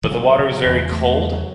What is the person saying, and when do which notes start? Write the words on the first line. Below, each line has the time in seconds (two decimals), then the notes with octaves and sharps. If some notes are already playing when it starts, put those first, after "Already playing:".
but the water was very cold,
0.04 E3
0.11 C#3 F#3
0.38 C#3
0.52 F#3
0.62 D#3
0.65 E2 E3
0.78 F#3
0.85 G#3
0.92 E2 A3
1.19 C#3
1.33 F#3